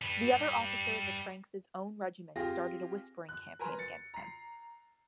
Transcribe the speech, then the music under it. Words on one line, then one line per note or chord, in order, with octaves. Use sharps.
The other officers of Franks's own regiment started a whispering campaign against him.
G3 B4
C4 F4 G4 G#4 A#6
F#6
A#4 B4 G#5 A#5 C6
A6 C#7
A#5 C7